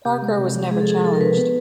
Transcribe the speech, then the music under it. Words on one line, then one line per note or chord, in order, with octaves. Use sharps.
Parker was never challenged.
C3 G4
G#3
C3
F3
G#3 G#4
A4
F3 G#4
F3 A4
A#4
C3 B4
B3 B4